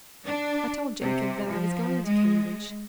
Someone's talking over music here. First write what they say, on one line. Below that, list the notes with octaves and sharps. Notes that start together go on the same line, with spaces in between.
I told Jacob that I was going to Cambridge.
D4
C3
F3
G#3